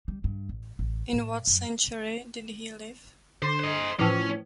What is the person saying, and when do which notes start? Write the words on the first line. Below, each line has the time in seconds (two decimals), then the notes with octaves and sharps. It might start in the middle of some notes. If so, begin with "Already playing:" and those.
In what century did he live?
0.08 G3
0.24 G2
0.49 A1
0.79 A1
1.13 A2
1.47 F#2
3.42 D3 C5
3.59 C5 D#5
3.99 A2 E3 F3 C#4